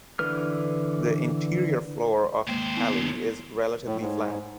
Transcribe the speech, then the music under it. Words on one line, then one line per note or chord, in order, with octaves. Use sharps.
The interior floor of Halley is relatively flat.
D3 E3 B4 F6
D#2 G#3 A#3 C5
B3 E4
A2
G#2